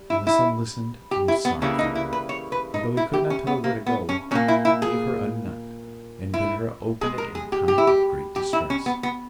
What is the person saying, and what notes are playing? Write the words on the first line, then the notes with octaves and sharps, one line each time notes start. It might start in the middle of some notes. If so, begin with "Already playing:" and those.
And the Sun listened, and was sorry for her; and though he could not tell her where to go, he gave her a nut, and bid her open it in a time of great distress.
Already playing: G3
E4
E4
G4
E4
B3
C#3 E3 G3 A#3 C#4
D#4
E4
B4
C#5
B4
D#4
E4
G4
C#4
B3
A#3
B3
C#4
A#2 A#3 C#4
E4
E4
G#4
E4
B2 G#3 G#4
A#4
G#4
G4
G4
E4
G4
G4
E4
C#4
B3
B3